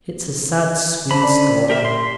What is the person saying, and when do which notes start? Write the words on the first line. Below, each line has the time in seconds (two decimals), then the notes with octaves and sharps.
It's a sad, sweet story.
1.11 D3 C#4 C5 A5 B5
1.24 D5
1.70 G4 A#4 E5
1.85 C6